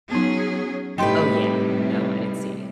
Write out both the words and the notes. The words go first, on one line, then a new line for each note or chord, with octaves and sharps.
Oh yeah, no, I didn't see
F#3 B3 C#4 D#4 G#4
A2 C3 G3 D#4 G4 B4 G5 C6